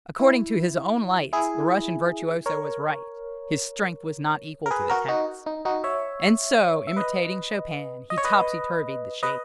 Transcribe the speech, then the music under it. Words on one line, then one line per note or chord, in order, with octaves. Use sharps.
According to his own lights the Russian virtuoso was right: his strength was not equal to the task, and so, imitating Chopin, he topsy-turvied the shading.
E4
E4 G#4
A#4 C#5
A#4
G#4 B4
F#4 A#4
D#4 F#4
D#4
D#4 F#4
C#5 E5
E5
B4 D#5
D#5
C#5
B4 D#5
B4 D#5